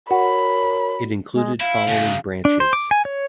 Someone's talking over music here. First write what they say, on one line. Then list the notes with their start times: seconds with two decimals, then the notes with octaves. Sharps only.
It included following branches.
0.11 F#4 A#4 C#5 B5
1.34 G#3
1.60 E4 F5
1.88 F#2 C#3
2.45 D4
2.60 C5
2.73 D6
2.91 G#5
3.05 C#5